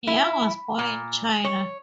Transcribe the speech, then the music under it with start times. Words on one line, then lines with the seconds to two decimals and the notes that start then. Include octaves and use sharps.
Yang was born in China.
0.07 E4
0.79 A#2
1.44 C#5